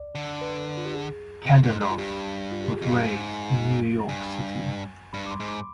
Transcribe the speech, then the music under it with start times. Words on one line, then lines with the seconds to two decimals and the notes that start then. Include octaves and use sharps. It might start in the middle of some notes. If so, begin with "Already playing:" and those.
Kadanoff was raised in New York City.
Already playing: D5
0.15 D3
0.41 B4
0.77 F4
0.85 G4
0.94 G#4
1.46 C3
1.63 G#2
1.81 G2
1.91 F4
1.98 G2 G4
2.52 F4
2.65 G4
2.77 G#4
2.82 F2 D#5
2.90 G2 F5
3.04 G#2
4.08 G2 G#5
5.13 G2 B5
5.26 D6
5.31 C6
5.40 G#2
5.48 D6